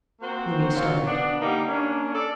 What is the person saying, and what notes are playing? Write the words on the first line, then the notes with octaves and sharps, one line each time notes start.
Louis started.
A#3 C4 F#4 C5
A#2 F#3 C4 F4 F5
B3 D4
D3 G3 A#3 D#4
A#3 C#4 D4
A4 D5